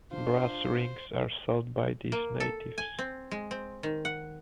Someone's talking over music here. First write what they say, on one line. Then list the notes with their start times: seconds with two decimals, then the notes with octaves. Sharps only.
Brass rings are sold by these natives.
0.11 D4 F4 C5
2.12 A#3
2.40 A4
2.78 G#5
2.99 C4
3.31 G#3
3.51 C4
3.83 D#3
4.05 F#5